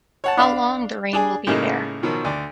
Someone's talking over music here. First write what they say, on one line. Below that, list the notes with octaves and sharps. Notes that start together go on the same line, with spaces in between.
How long the rain will be there?
C#5 F#5 A5
D4 F5 B5
D4 G#4 G#5
A2 C#3 G#3 A#3 D#4
B2 D#3 F3 F#3
D2 D5